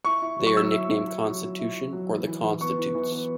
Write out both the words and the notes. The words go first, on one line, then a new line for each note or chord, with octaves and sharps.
They are nicknamed 'Constitution' or 'The Constitutes'.
E4 C#6
E4
F#3
C#6
F#3 E6
E4
E4
E4
F#3
F#3
E4
E4
F#3
E3
E3
E3
B3 C#6
E3
E3
B3